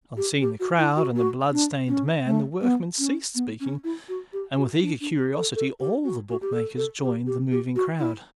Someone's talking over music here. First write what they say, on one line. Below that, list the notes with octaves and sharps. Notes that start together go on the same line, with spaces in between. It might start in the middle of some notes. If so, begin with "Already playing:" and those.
On seeing the crowd and the bloodstained man the workman ceased speaking, and with eager curiosity all the bootmakers joined the moving crowd.
G4
G4
F#4
E4
F#4
F#4
D4
C#4
A3
B3
C#4
B3
C#4
E4
F#4
G4
F#4
D4
D4
G4
A4
A4
G4
F#4
F#4
G4
A4
A4
G4
G4
G4
F#4
E4